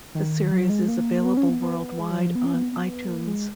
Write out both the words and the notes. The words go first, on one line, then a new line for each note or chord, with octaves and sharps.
The series is available worldwide on iTunes.
D#3
F#3
G#3
A#3
B3
C#4
B3
B3
G#3
F#3
F3
B3
C#4
B3
B3
A#3
G#3